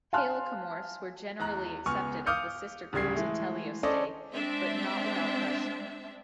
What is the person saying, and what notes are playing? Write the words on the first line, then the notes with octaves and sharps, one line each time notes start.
Halecomorphs were generally accepted as the sister group to Teleostei but not without question.
F5 G#5 A5 C6 F6 F#6
E2 A#5 F#6
C#2 B3 G#5 C#6 F6
F5 D6 D#6 F6 G6 C#7
D1 C#3 G3 G#6 C7
E3 G#3 A3
C#4 D4 A4 C5 D5 D#5
G#3 C4 D4 C5 E5